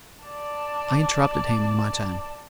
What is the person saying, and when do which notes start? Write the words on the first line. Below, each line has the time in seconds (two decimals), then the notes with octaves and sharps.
I interrupted him in my turn.
0.24 D5 A5